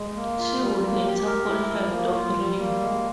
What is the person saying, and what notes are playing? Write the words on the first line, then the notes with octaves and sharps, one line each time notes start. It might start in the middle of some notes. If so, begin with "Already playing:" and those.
She would later call her dog Rio.
Already playing: G#3
A#3
F4
G3
A#3
G4
A#4
E4
F3
A#3
F4
G3
A#3
G#3